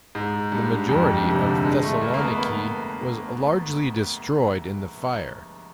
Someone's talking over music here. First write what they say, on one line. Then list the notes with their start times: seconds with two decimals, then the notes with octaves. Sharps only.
The majority of Thessaloniki was largely destroyed in the fire.
0.15 G#2
0.52 G2
0.89 F2
1.08 G2
1.28 C3
1.46 D3
1.64 G#3
1.83 A3
2.02 A#3
2.14 A#3
2.21 B3
2.39 B3